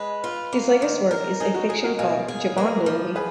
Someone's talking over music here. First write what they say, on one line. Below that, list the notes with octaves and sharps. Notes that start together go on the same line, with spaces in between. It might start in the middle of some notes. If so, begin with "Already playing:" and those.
His latest work is a fiction called "Jibondhuli".
Already playing: G#3 G#4 B4
F4
A#3
D#3
A#4
D#4 G#4
F#4
G#3 G#4
F#4 A#4
B2 F5 G#5
G#4
A#3 B4 D#5
F3
G#4 B4